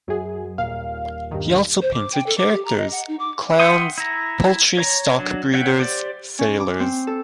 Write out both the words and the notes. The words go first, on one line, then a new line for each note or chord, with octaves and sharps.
He also painted characters: clowns, poultry stockbreeders, sailors.
F#2 F#3 G#4
D#1 A#2 F5
G2 D#3
C5
D6
G5
A4
D6
G4
A#5
D#5
F#5
D#4
D6
E5 F#5 G5 C6 D#6
E4 A#5
C#5 A#5
F#3 D4
C#5 E5 F#5 G5
G4 C5 D5
C#4
D6
C4
A4